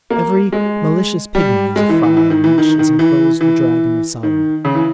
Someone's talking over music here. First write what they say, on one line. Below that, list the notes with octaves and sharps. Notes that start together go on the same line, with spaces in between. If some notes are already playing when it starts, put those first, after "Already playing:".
Every malicious pigmy is a phial in which is enclosed the dragon of Solomon.
A#3
G#3
G3
G#3
E3
E3
E3
D#3
E3
D#3
D#3
E3
E3
D#3
C#3
E3